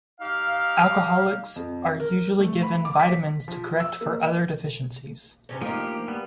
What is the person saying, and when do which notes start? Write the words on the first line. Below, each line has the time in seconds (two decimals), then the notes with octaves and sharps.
Alcoholics are usually given vitamins to correct for other deficiencies.
0.20 D#4 G4 F5
1.56 F2
2.00 A#4
2.40 A3
2.62 B5
2.85 D6
3.00 B6
3.48 F3
3.80 E6
4.01 A#3
5.49 G2 C3 C#4
5.61 D2 F3 A#3 D#4 G4
6.08 G3 B3